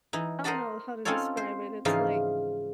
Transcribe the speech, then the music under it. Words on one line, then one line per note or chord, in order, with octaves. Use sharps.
I don't know how to describe it, it's like
E3 D#4
A#4 C5 D#5 F#5 A5 B5
C4 C#4 D#4 F4 A4 C#5
C5
G#2 C#3 E3 F3 D#4 F4